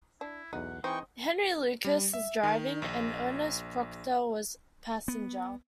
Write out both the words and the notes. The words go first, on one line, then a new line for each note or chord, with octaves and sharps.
Henry Lucas was driving and Ernest Proctor was passenger.
D4 E4
B1 E2 D#4 F#5
E3 C4 D#4 G#4 D#5 G5 C#6
G3
E5
D#3
A#1
B3